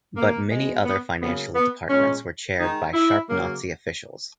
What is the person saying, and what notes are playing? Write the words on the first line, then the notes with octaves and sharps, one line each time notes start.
But many other financial departments were chaired by sharp Nazi officials.
A#3
B2 G#3
B3
C#3 F#3 A#3 B3
B3
A#2 G#3 C#4
D#3 G#3 D#4
E4
C#3 F#3 A#3